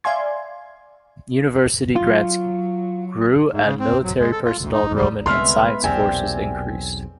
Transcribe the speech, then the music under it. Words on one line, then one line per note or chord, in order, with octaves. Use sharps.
University grants grew and military personnel enrollment in science courses increased.
D5 E5 F5 G#5 C6 G#6
F#3 F4
G#2
C#3
C4
F#3
G#3
A4
F4
D2
D#4
G3
C2 D3 G#3 B3 E5 C6 F6
B1 E2 A#2 C4 G4 C5 E5 G#5